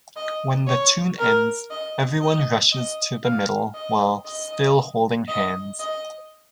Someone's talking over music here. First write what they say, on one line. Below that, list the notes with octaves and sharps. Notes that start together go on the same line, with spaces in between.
When the tune ends, everyone rushes to the middle, while still holding hands.
D#5
C#5
A#4
D#5
D#5
D#5
F5
D#5
D#5
D#5
D#5